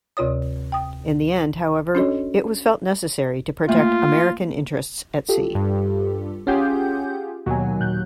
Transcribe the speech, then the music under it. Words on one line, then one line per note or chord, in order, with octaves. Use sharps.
In the end, however, it was felt necessary to protect American interests at sea.
D2 C3 F4 C#5 D#6
G5 D#6
C#4 D4 F#4 A4 C#5 D#5
A3 A#3 F4 E5
F4 G4 A4
G2
C#4 F4 G4 G#4 F#5 G6
D#2 B2 F#3 G#5
A#2 F#6 G6